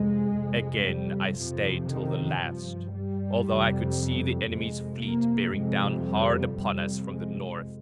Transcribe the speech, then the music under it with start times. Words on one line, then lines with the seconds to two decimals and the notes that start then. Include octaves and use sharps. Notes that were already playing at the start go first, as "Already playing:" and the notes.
Again I stayed till the last, although I could see the enemy's fleet bearing down hard upon us from the north.
Already playing: F2 C3 G#3
0.33 F2 C3
0.85 G3
1.36 F2 C3 F3
1.89 D#3
2.41 G2 F3
2.93 G3
3.45 F2 C3
4.48 F2 C3 G#3
5.01 A#3
5.52 F2 C3 G#3
6.05 G3
6.57 F2 C3 G3
7.09 G#3